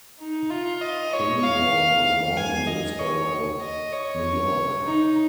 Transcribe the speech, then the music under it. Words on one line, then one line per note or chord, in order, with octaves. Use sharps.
Hayward was born in Willsboro, New York.
D#4
F4
D#5
C#5
F5
F5
G#5
D#5
C#5
D#5
C#5
D#4